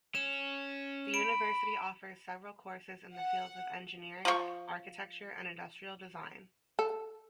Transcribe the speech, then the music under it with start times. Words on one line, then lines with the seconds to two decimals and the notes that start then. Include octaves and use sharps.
The university offers several courses in the fields of Engineering, Architecture and Industrial Design.
0.15 C#4 E7
1.14 B5 D7
3.14 F#5
4.25 F3 A#4 C#6
6.79 A4